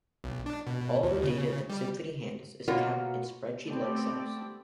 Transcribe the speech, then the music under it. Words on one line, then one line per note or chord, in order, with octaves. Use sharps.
All the data that Symphony handles is kept in spreadsheet-like cells.
B1
D4
B2
D#2
C#3
G3
B2 A#3 F4 F#4 A#4 C#5
A3 B3 C4 G4 A4 D5